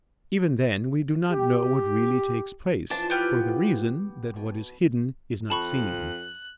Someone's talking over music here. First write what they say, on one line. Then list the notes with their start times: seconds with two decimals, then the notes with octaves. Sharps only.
Even then we do not know what really takes place, for the reason that what is hidden is not seen.
1.31 G4
2.90 E3 F3 D4 F4 A5
3.10 B3 G4 F6
4.36 B2
5.50 F2 A5 B5 C#6 F#6